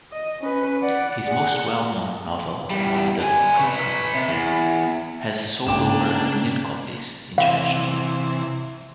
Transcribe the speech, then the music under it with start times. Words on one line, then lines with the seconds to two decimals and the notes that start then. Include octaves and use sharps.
His most well-known novel, "The Quincunx", has sold over a million copies internationally.
0.12 D#5
0.41 C#4 B4
0.82 D5 F#5
1.26 G#4 F#5
2.70 E2 G3
3.22 D3 G#5
3.57 B4 C#5
4.15 C3
4.28 E2
5.67 G#2 C#3 A#3 D4 G5 D6 E7
7.38 C3 E3 F5